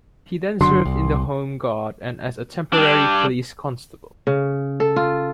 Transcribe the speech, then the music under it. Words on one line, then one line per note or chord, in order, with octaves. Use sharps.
He then served in the Home Guard and as a temporary police constable.
F#1 D3 F#3 C6
C2
G3 D4
C#3
A4
F4